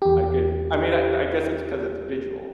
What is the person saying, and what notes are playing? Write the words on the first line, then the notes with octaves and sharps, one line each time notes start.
I could I mean, I I guess it's because it's visual,
E2 G4